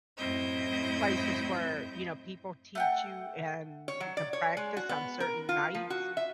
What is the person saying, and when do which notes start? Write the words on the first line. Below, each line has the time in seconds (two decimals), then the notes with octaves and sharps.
places where, you know, people teach you and you can practice on certain nights,
0.16 F#2 A2 C4 E4 D#5 G6
2.75 A3 F#5 G5
3.88 C#5
4.00 F#3
4.17 D5
4.33 C#5
4.57 G#3
4.77 F#4
4.89 B3
5.20 A#4
5.49 F4
5.75 F3
5.90 F#4
6.17 E5